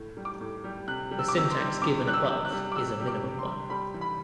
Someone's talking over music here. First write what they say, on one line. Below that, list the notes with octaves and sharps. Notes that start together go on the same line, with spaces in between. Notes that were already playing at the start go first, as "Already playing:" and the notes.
The syntax given above is a minimal one.
Already playing: A2
G3
D6
A2
G3
C3 F#6
G3
E6
D6
C3 E6
C6
G3
C3 D6
G3 F#6
E6
C3
F#6
G3
D6
C3 E6
G3
D6
C3
C6
G3
G3 B5
E3
B5